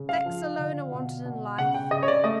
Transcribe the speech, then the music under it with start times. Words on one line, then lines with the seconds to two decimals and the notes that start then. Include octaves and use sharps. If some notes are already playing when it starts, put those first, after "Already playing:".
Facts alone are wanted in life.
Already playing: C#3
0.09 F5
0.26 F3
0.59 D3
0.92 B2
1.25 B2
1.58 C#3 F#5
1.74 G5
1.91 C#3 D#5
2.03 C#5
2.08 D5
2.24 A3 D#5